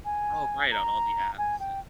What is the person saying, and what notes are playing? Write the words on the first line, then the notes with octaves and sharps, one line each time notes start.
Oh, right, on all the apps and
G#5
A#5
G#5
G5